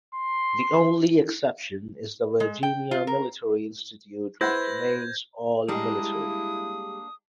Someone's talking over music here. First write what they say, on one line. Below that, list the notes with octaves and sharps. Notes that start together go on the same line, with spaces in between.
The only exception is the Virginia Military Institute, which remains all-military.
C6
G#3
G5
F4
A#4
E4 B4 C5 F#5 B5 G6 G#6 A#6
G3 G#3 A#3 D4 E4 D#6